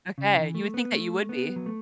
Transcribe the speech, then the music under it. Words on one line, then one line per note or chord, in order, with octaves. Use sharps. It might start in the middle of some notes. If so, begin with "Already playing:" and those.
Okay, you would think that you would be.
C#3
E3
A3
B3
A3
B3
F#3
A3